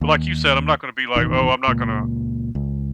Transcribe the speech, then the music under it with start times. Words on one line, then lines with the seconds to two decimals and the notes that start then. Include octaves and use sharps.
but like you said, I'm not gonna be like, "Oh, I'm not gonna
0.01 D#2
1.16 A1 E2 B2 D#3
1.68 C#2 A#2
2.55 C#2